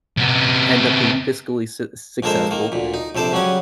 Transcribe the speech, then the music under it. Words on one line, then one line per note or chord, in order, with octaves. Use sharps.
end up being fiscally succes successful,
C3 B3
A#1 G#3 A#3 A4 A#4 C5
D#3 A#3
D2 A#2
D#4
A#1 C3 A4 C5 D6
C#3 F#3 G3 C#4 F#5